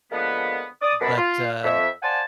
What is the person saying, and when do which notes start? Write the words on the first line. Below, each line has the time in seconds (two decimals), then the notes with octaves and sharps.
but, uh
0.12 D3 F3 G#3 A#3 B3
0.82 D5 D#6
1.01 F#2 B2 D4 B5
1.17 F4
1.64 F2 E5
2.03 C5 D5 F5 F#5 G#5 A5